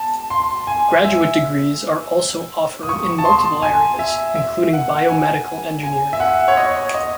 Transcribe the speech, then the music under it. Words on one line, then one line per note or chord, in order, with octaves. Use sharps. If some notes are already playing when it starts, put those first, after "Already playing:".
Graduate degrees are also offered in multiple areas, including Biomedical Engineering.
Already playing: A5
C6
G#5
E5
D#6
C#6
A5
C6
G#5
E5
E5
F#5
G#5
G#5
E5
F#5
C#5
D#5
D#5